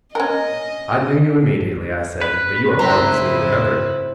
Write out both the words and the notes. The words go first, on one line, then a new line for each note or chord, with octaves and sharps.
'I knew you immediately,' I said; 'but you are more easily remembered.'
C#4 A#4 D#5
B4
G#2 C#3 C4 E4 A#5